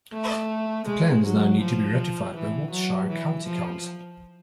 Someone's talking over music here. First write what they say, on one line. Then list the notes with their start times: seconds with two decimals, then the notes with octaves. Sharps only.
The plans now need to be ratified by Wiltshire County Council.
0.13 A3
0.87 G#3
1.24 F#3
1.60 F3
2.34 E3
2.71 F#3
3.08 E3
3.46 F3